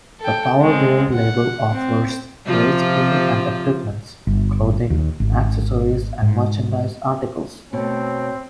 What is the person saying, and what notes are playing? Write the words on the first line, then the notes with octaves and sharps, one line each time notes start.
The Powerwear label offers race gear and equipment, clothing, accessories and merchandise articles.
A4 G5
G#3 C4
F#5
C4
C3 F3 F4
G1
D#2
G#1
G#2
B2 A3 C4 C#5